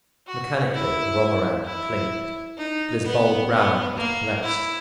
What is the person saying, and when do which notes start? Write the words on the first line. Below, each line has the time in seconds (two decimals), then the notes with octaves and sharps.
Mechanically Romarin clinked; but his bald brow was perplexed.
0.27 F#4
0.73 E4
1.65 E4
2.58 D#4
3.04 B3
3.51 B3
3.97 A#3
4.43 E4